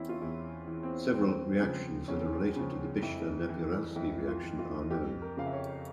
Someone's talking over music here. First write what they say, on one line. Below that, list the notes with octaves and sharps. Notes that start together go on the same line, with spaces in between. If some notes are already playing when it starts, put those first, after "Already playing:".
Several reactions that are related to the Bischler-Napieralski reaction are known.
Already playing: E2 E3 C4 C#4 E4
F4
E2 E4
E3
C4
E2 C4
C#3 F3
E2 C#4
C#3 F3
F2 E4
E3
F2 E4
F4
E3
F4
F2 G4
A#4
C#3 F3 F5
E5
C#5